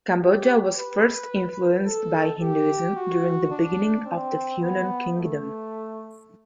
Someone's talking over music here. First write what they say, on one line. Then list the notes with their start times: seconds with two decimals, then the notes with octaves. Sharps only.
Cambodia was first influenced by Hinduism during the beginning of the Funan kingdom.
0.21 G4
0.76 B4
1.86 A4
2.41 G4
2.96 F#4
3.50 D4
4.05 C4
4.61 B3
5.16 A3